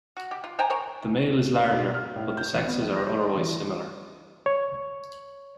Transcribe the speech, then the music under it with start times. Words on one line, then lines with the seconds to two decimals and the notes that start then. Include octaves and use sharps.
The male is larger, but the sexes are otherwise similar.
0.17 F#4
0.31 G4
0.44 F4
0.59 C5 G5 G#5 A#5
0.70 A#4 C5 C#5
1.55 B4
1.72 B2
1.94 F6
2.16 A2
2.37 G6
2.55 A1
2.67 B3
2.81 A#1
2.96 A#6
3.21 D5
3.37 E3
4.46 C#5